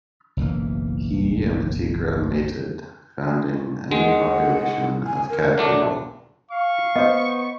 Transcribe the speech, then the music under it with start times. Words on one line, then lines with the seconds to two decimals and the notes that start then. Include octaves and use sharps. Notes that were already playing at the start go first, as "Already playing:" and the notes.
He and the Tigra mated, founding a new population of Cat People.
0.37 F#1 B1 E3 A#3
3.91 D#3 G#3 F#5
5.06 G#5
5.29 A#4
5.58 F#3 A3 D4
6.51 F5 C#6
6.96 B3 C5 D#5